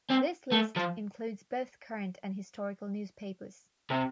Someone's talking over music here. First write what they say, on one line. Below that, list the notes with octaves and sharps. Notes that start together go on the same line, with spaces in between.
This list includes both current and historical newspapers.
C4
A3
F3
C3